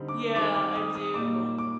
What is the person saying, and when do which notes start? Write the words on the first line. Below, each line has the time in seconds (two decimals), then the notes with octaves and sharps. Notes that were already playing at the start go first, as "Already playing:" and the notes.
Yeah, I do.
Already playing: D3 G3 C4 D#4
0.08 D6
0.35 D#3 G3 C4 D#4 D6
0.55 D6
0.76 D#6
0.95 D#6
1.14 A#2 G3 A#3 D#4 D6
1.58 D6